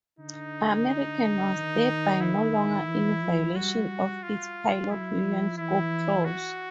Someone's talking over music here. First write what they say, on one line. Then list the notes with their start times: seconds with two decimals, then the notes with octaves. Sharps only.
American was thereby no longer in violation of its pilot union scope clause.
0.19 D3 D#4
1.54 D#3
2.21 E4
2.88 E3
3.22 F3
3.55 G3 F#4
4.23 F4
4.91 F#3 E4
5.24 F3
5.57 E3 E4
6.25 F#4